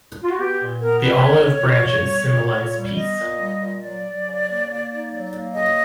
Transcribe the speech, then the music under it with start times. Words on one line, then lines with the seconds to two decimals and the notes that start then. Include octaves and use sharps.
The olive branches symbolize peace.
0.23 F4
0.31 F#4
0.38 B3 G4
0.60 A#2
0.81 B3 A#4
1.03 G3 B4
1.25 B3 C#5
1.46 B3
1.67 A#2
1.89 G3
2.11 B3
2.32 A#2
2.53 A#2
2.75 G3
2.96 B3 D#5
3.18 A#2
3.39 G3
3.60 A#2
3.82 F#3 D5
4.04 F#3
4.25 C#3
4.46 A#3
4.68 A#3
4.89 D#4
5.11 F#3
5.32 A#3
5.54 C#3 D#5